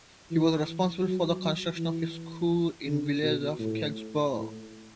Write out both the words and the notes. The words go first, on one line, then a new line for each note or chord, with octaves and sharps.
He was responsible for the construction of a school in the village of Kexborough.
E3
F#3
F#3
E3
D3
B2
A2
A2